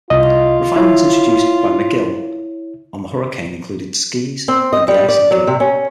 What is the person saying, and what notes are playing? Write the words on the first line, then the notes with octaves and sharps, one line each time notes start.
Refinements introduced by MacGill on the Hurricane included skis and de-icing gear.
C2 F4 D#5
E4 C#5
C4
D#5
G3
D5
F#3
C3
C#4